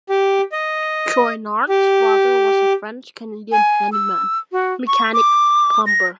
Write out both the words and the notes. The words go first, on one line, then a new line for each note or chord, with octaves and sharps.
Chouinard's father was a French-Canadian handyman, mechanic, plumber.
G4
D#5
G4
G#5
E6
F#4
C#6
D6
A#6